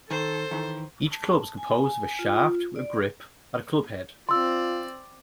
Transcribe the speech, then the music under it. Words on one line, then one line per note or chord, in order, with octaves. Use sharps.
Each club is composed of a shaft with a grip and a club head.
D#3 A4 C5
D#3 E3
A5
G#5
F4
D5
C4 F4 D5 C6 E6